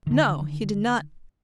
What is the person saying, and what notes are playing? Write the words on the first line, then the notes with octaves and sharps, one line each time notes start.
"No, he did not."
D3 D#3